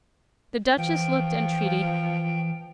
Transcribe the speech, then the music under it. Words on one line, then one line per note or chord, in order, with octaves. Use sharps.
The Duchess looked entreaty.
E3 F3 G5